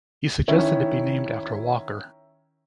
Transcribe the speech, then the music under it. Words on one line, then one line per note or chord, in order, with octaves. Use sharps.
He suggested it be named after Walker.
D#3 C#4 E4